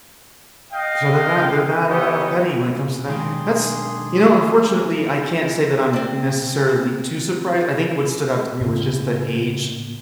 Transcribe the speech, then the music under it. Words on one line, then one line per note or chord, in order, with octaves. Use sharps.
So, they're that they're that, uh, petty when it comes to that. That's you know, unfortunately, I can't say that I'm necessarily too surprised. I think what stood out to me was just the age
D#5 F5 G5
B3 D#4 G4 C#5
B1 D#3 G#3 D4 G4 G#4 C6
C4 D5
A2 C#3